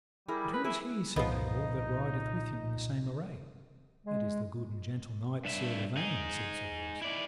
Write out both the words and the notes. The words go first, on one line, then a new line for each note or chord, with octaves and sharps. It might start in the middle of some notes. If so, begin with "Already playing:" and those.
But who is he, said they all, that rideth with him in the same array? That is the good and gentle knight Sir Lavaine, said Sir Bors.
G3 E4 G#4 A#4
B4
E4 G#4 B4
C2 A#2 F3 B3 D#4 D#5
G#3
G2 E5
D#4 G#4
E4 D5